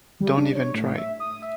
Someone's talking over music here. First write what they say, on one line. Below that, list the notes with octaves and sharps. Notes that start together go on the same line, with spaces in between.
Don’t even try.
G3
D4
C#5
A2
E5
D#6
E5